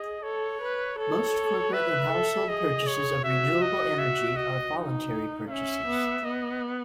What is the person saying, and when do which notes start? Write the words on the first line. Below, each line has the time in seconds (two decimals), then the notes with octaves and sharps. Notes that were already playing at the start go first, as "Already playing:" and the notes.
Most corporate and household purchases of renewable energy are voluntary purchases.
Already playing: G#4 D#5
0.23 A4 C#5
0.61 B4
0.98 A4 C#5
1.73 B4 E5
2.12 A4
2.49 G#4 D#5
2.87 C#5
3.24 F#4 E5
3.62 D#5
3.99 E5
4.36 D#5
4.75 D#4
5.49 C#4 E5
5.87 B3
6.24 B3 D#5